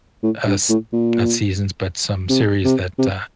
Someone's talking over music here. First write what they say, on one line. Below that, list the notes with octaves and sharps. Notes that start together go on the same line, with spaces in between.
uh, s not seasons, but some series that, uh,
A2
G2
A2
A#2
C3
C3
C3